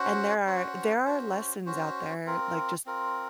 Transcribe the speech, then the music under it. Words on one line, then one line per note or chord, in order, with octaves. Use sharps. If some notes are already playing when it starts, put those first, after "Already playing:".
and there are there are lessons out there, like, just
Already playing: C#4 F#4 C5 F#5
C#4 F#4 C5 F#5
C#4 F#4 C5
C#4 F#4 C5
C4 F4 A#4
C4 F4 A#4